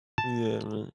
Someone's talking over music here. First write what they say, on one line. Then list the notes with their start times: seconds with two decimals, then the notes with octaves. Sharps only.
Yeah man,
0.18 A5